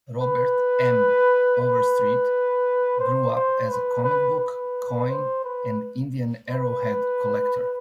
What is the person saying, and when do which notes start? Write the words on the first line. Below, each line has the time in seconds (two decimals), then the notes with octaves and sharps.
Robert M. Overstreet grew up as a comic book, coin, and Indian arrowhead collector.
0.21 B4
1.61 B4
3.00 C5
3.36 C5
3.70 B4
4.04 B4
4.40 B4
5.09 C5
5.44 B4
6.49 B4